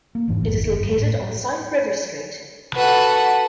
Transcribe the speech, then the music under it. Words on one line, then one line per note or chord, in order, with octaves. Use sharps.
It is located on South River Street.
A#3
F1 G#2 E3 D4
A#1 F2 G#2
F#1 D#2
G2
A2
F#4 A4 B4 F#5